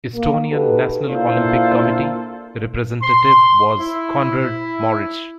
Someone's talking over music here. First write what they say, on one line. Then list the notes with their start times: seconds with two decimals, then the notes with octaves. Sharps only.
Estonian National Olympic Committee representative was Konrad Mauritz.
0.14 A#3
0.50 D#4 F#4 G4 A4 B4
1.09 A#3 D4 E4 F4 A4 C5
3.03 C6
3.79 E4